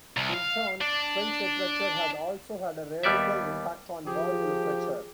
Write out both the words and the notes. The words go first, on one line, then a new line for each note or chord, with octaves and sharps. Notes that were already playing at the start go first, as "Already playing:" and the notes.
In turn, French literature has also had a radical impact on world literature.
C2
F5
D4
D#2 G3 B3 D5 E5
F3 G4 G#4